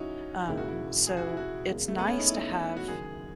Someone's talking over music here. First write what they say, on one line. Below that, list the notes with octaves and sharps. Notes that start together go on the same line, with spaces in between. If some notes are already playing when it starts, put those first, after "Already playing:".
Um, so it's nice to have
Already playing: C#3 F#3 C#4 D#4 E4 F#4
E1 D#2 C#3 G#3 E4
F#4
E4
G#4
F#4
E4
F#4
F#1 E2 C#3 G#3
A3
B3
C#4
D#4
E4
F#4
F#1 F#2 D#3 G#4